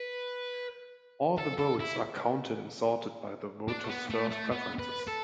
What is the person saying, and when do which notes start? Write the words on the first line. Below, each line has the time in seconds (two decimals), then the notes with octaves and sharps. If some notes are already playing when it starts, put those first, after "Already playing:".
All the votes are counted and sorted by the voters' first preferences.
Already playing: B4
1.38 A4
1.59 A4
1.80 E4
3.68 D4
3.84 A3
3.89 B3
4.10 A3
4.31 A3
4.51 B3
4.79 B4
5.07 A4